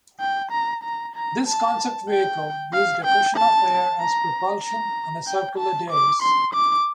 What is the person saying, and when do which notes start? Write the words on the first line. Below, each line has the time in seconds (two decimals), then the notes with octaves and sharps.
This concept vehicle used a cushion of air as propulsion on a circular dais.
0.20 G5
0.51 A#5
0.84 A#5
1.16 A#5
1.46 A5
2.10 G5
2.73 F5
3.05 G5
3.37 A5
4.00 A#5
4.63 A#5
5.27 G5
5.58 A5
5.91 D6
6.23 C6
6.54 D6